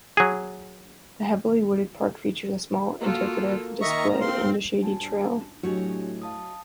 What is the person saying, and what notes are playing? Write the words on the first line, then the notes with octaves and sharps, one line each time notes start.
The heavily wooded park features a small interpretive display and a shady trail.
F#3 G#4
A#3 F4 F#4 A4
D#3 D#5 E5 A#5 C#6
C4 F5 C6
F#3 F#4 G#5 A5
G2
A2 F#3 D4 F#4 G4 C#5 D#5 G#5
F5 A5 D#6